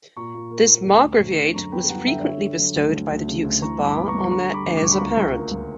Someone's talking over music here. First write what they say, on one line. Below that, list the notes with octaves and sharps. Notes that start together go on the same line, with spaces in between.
This margraviate was frequently bestowed by the Dukes of Bar on their heirs apparent.
A#2 A#5 C#6
A#2
A#3
A#2
D2
D2
D2
D3
F#2 A#5 C#6
B3 G5 B5
G3 F#5 A#5
D3 E5 G5
D5
D3 C#5 E5
D3
F#3
D2
D2
D2
C#3
D2
E3 A#5 C#6
G2
B5 D6
B3
A#5 C#6
G2
D3 A#5 C#6
G3 B5 D6
D2
D6
D2 C#6
B5
C#2 A#5 C#6
C#2
A#3
C#2